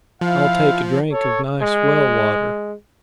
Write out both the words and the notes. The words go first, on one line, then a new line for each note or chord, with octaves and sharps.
I'll take a drink of nice well-water.
F3 E4 F5
A4 C#5
G#3